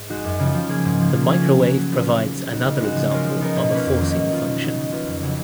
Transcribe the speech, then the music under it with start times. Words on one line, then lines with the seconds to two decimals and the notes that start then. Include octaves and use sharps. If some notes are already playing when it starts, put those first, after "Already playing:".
The microwave provides another example of a forcing function.
Already playing: G#2
0.10 G#3 D#4 F#4
0.25 F#2
0.39 C#3 F3
0.54 F3
0.69 A#3 F4 G#4
0.85 G#2
1.00 F3 A#3
1.15 F3
1.30 A#3 C#4 F4 G#4
1.45 F#3
1.60 C#4 F#4 B4
1.76 F#3
1.91 B3 F4 B4
2.06 A#2
2.21 F#3 B3
2.35 F#3
2.50 B3 D#4 F#4 A#4
2.65 C#3
2.80 G#3 D#4 F#4
2.96 F3
3.10 G#3 C#4 F4 A#4
3.26 F3
3.41 B3 D#4 A#4
3.56 B2
3.71 A#3 C#4 F4 B4
3.86 F2
4.01 D#3 A#3 D#4
4.16 F#3
4.31 B3 F4
4.46 B2
4.61 F#3 B3 D#4
4.76 C#3
4.91 F#3 A#3 F4 B4
5.07 F2
5.22 C#3 F#3 A#3